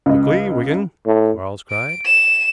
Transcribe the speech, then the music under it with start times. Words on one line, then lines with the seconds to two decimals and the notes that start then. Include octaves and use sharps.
"Quickly, Wigan!" Quarles cried.
0.06 C#2 D#5
1.07 A2
1.71 D7
2.06 E7